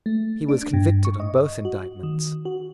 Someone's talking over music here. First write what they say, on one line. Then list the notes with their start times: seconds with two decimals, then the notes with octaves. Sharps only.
He was convicted on both indictments.
0.06 A3
0.49 D4
0.73 G2
1.05 C#6
1.20 D#5
1.65 F#4
2.03 D#3
2.45 F#4